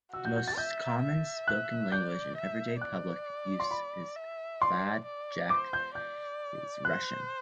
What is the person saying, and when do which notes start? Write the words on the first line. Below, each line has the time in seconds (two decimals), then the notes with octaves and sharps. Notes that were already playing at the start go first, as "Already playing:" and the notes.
The most common spoken language in everyday public use in Budjak is Russian.
0.13 F#4 E6
0.25 G6
0.36 G6
0.48 A6
0.58 E5 G6
1.03 E5
1.48 F#6
1.92 D5 G6
2.37 E5
2.81 D5 F#6
3.60 C6
3.71 B5
4.16 E5
4.61 D5 C6
5.05 D5
5.50 C5 D6
5.73 G6
5.95 D5 G6
6.85 C5 F#6